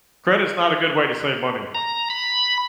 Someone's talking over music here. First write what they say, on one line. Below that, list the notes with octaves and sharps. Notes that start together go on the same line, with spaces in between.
Credit is not a good way to save money.
A#5
B5